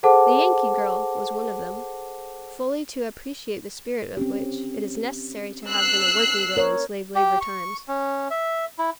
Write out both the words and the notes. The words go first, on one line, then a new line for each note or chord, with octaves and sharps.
"The Yankee Girl" was one of them, fully to appreciate the spirit of which, it is necessary to have been a working-girl in slave-labor times.
G#4 A4 C5 F#5 A5 D6
C4 C#4 G4
E6 F#6 C7
A#4 C#5
G4
C#6
C#4
E5
E4